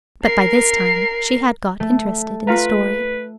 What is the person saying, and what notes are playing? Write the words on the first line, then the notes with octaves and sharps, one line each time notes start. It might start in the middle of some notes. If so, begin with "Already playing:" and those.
But by this time she had got interested in the story.
A#4 C7
A3
F4 B4 F5 A#5